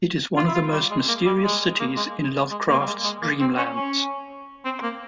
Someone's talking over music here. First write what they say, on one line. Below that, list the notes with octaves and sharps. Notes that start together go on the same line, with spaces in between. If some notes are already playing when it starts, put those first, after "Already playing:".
It is one of the most mysterious cities in Lovecraft's Dreamlands.
F4
E4
F4
G3
G#3
A#3
G3
G#3
A#3
G#3
G#3
A#3
G3
G#3
G#3
A#3
C4
C#4
C#4
C4
A#3